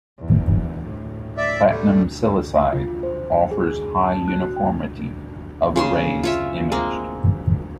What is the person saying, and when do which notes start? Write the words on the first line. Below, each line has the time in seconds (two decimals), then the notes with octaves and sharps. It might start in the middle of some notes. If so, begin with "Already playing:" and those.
Platinum silicide offers high uniformity of arrays imaged.
0.18 E2
0.84 A2
1.37 D5 E5
1.69 D3 G3 A3
2.73 F4
3.03 C5
3.51 G#4
4.02 A5
4.28 F#6
4.42 F#4
4.56 G5
5.76 C#3 C#5 C6
6.23 F4 C#5 E5
6.72 G#3 A#3 C4